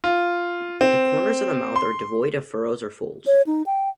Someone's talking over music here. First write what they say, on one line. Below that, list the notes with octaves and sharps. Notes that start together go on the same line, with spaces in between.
The corners of the mouth are devoid of furrows or folds.
F4
C4
C6
C#5
D#4
G5